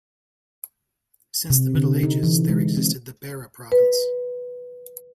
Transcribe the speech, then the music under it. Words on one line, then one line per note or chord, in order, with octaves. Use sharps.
Since the Middle Ages there existed the Beira Province.
C3
D3
D#4
E3
G#3
C4
B4